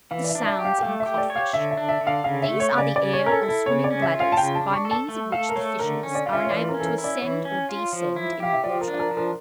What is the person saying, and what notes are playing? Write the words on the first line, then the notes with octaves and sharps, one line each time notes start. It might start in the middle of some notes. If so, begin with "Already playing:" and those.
THE SOUNDS IN CODFISH.--These are the air or swimming bladders, by means of which the fishes are enabled to ascend or descend in the water.
E3 F5
D5
E5
D4
E5
G4
F5
G5
A3 F5
E5
G4
D5
C#5
F5
D3 E5
E5
D4
E5
D3
F5
C#3 F5
E5
A3
C#5
C#3
D5
C#3 D5
C#5
C#4
A#4
A4
E4
A4
C#3 C#5
D5
C#4
E5
F4
F5
A5
C#3 G5
A5
D4
C#6
A4
A5
A3
A4 F5
A#4
A3 C#5
D3 A#4
C#4
D5
F4 F5
E5
C#5
E3 D5
A#4
C#4
A4
A#4
E4
D5
E3 C#5
C#4
F4
F3
E4
G4 F5
E5
F3 D5
A#4
D4
A#4
F3
A#4